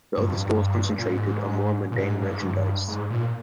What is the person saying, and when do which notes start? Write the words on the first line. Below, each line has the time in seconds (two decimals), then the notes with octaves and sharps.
The other stalls concentrated on more mundane merchandise.
0.17 G2
0.29 F2
0.40 G2
0.98 A#2
1.08 G#2
1.92 A#2
1.98 G#2
2.21 G2
2.33 G#2
2.42 G2
2.88 G#2
3.10 A#2